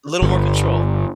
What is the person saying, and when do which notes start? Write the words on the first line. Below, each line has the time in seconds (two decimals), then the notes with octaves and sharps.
Little more control.
0.22 G1